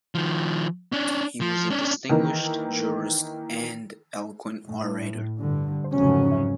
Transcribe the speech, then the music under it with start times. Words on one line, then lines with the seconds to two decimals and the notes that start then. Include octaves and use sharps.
He was a distinguished jurist and eloquent orator.
0.15 D#3 F3
0.92 C#4 D4
1.41 F3
1.71 C#4 D4
2.09 D#3 E3 A#3
4.67 A2
5.39 G2 D3
5.93 F1 G#2 C#3 F#3 C#4